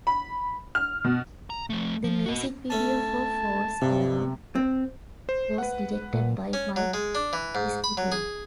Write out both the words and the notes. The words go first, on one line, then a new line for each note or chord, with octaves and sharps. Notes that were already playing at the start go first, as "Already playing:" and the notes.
The music video for "False Alarm" was directed by Mike Piscitelli.
B5
F6
B2
A#5
F3 A3
F3
F#4 D#5
A3 C#4 A5
G2 C3
C4
C5
B4 F#5
A#2
C#4
F#3
G#3
D4
E3
G#2
B5
F#3
G#4